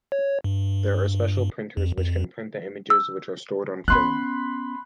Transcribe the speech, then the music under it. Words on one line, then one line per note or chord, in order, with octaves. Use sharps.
There are special printers which can print the images which are stored on film.
C#5
G2
F2
F2
E6
B3 C#4 B5 C6 F#6